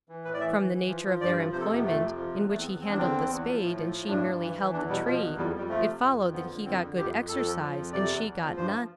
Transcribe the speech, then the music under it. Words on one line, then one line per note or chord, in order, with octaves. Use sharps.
From the nature of their employment, in which he handled the spade and she merely held the tree, it followed that he got good exercise and she got none.
E3
A2 B4
D5
E3 E5
E3
E3
F3
F3
G2 D5
F3
C3 C5
A4
F2
B3
F2 A3
C3
F3
E2
E2 A3
C4
E2 B3
E2 C4
D4
D3 C4
E2
E2
F3
A2
F3
A2
G2 D4
G2
E3
E3
E2 D4
B2 G3
B2 F3
E2
F2 G3
G3
F2
G3
F3 A3
C3
F2
F2
F3 B3
D3
F2 C4
D3
F2 G4
F2
F2 A4
F3
F3
F2
C3 D5
E2
E2
F3
G2 C5
F3